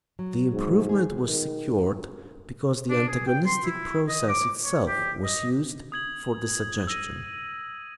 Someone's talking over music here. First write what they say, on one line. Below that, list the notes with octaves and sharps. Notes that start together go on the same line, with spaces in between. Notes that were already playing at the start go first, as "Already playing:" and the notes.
The improvement was secured because the antagonistic process itself was used for the suggestion.
F#3
G#2
G#4
D#3
D4
G#4
G5
C6
E4
D#5
D6
C#5
G4
D#5
D#6 G#6 F#7
E6 G#6 A#6 D#7